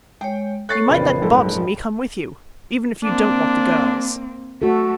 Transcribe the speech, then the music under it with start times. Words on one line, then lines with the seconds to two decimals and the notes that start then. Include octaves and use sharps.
You might let Bobs and me come with you - even if you don't want the girls.'
0.21 G#3 C#5 G5
0.69 A4 C#5 C#6 F#6 A6 C7
0.89 A#1 F2 C#3 E3 B3 G5 B5
1.22 F#1 G#2 A4
3.04 A#3 C4 D4
4.62 A3 F#4 A4